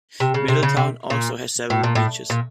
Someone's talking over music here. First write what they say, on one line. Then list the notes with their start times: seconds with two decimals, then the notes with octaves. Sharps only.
Middletown also has several beaches.
0.20 C3
0.34 C#3
0.48 C3
0.63 C#3
0.77 C3
1.10 A#2
1.70 A2
1.83 A#2
1.95 A2
2.30 A#2